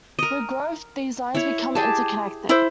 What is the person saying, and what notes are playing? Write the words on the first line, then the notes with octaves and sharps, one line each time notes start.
With growth these lines become interconnected.
A#4 D#5
E4 C#5
G4 G#4 A5
E4 C5